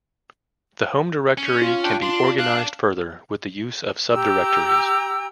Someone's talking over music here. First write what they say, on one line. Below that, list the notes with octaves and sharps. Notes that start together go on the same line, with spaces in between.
The home directory can be organized further with the use of sub-directories.
C#4
F4
D4 G5
D4 C6
D4 F5 F#6
G4 G5 A#5 E6